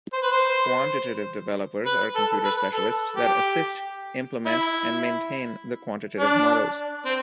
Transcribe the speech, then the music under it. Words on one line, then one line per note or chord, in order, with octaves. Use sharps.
Quantitative developers are computer specialists that assist, implement and maintain the quantitative models.
C5
B4
C5
B4
A4
B4
A4
G4
E4
D4
C4